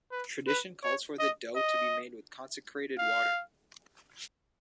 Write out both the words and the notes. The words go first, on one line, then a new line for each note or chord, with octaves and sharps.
Tradition calls for the dough to be made with consecrated water.
B4
B4
C#5
D#5
D#5
F5